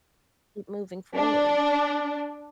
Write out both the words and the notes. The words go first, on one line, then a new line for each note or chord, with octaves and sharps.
keep moving forward.
D4